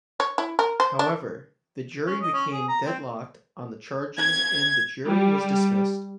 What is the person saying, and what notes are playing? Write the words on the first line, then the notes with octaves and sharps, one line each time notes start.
However, the jury became deadlocked on the charges and the jury was dismissed.
C#5
E4
A#4
C5
D4
C#4
D#5
C#4
G#4
A#5
C4
G#6
G3